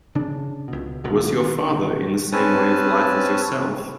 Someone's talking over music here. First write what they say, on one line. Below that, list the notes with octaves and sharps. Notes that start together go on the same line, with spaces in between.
Was your father in the same way of life as yourself?
C#3 D4
C#2 B2
D#1 B2
C4 C#4 B4 G#5 A5